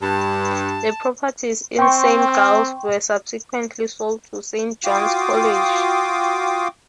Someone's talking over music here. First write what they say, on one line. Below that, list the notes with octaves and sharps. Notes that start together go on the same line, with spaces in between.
The properties in Saint Giles's were subsequently sold to Saint John's College.
G2 A5
C4 G5 C6 C#6
F4 F#4 F5 G5 D6 D#6